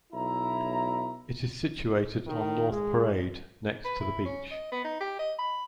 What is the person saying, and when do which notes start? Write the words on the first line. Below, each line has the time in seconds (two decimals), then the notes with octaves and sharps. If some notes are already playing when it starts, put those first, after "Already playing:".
It is situated on North Parade next to the beach.
0.13 B1 E4 A#5
2.27 D#3
2.71 G#3
3.85 B4
4.00 E4
4.25 C#4
4.51 D#5
4.72 B3
4.84 D#4
5.00 G4
5.19 D#5
5.39 B5